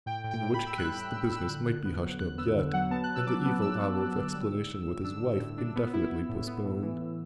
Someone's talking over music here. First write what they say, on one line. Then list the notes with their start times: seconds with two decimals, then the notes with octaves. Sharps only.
In which case the business might be hushed up yet, and the evil hour of explanation with his wife indefinitely postponed.
0.06 A2 G5
0.24 A2
0.31 G5
0.42 A2
0.54 B5
0.60 A2
0.66 E6
0.77 G3 F#6
0.96 A2 F#6
1.14 A2 E6
1.31 A2 E6
1.49 D3 F#6
1.67 D3
1.85 B3
2.03 F#3
2.20 E2 F#6
2.38 B3 E6
2.56 D3
2.73 F#3 F#5
2.91 B3 A5
3.04 F#6
3.09 F#3
3.15 E6
3.27 F#3 D6
3.45 B3
3.62 B3 E6
3.80 B3
3.98 F#3
4.16 D3
4.34 G3
4.52 A2
4.69 A2
4.87 A2
5.04 D4 E6
5.22 A2
5.40 A2
5.58 D4
5.76 B3
5.93 E4
6.11 E4
6.29 A2
6.47 B3
6.64 A2
6.83 E3
7.01 A2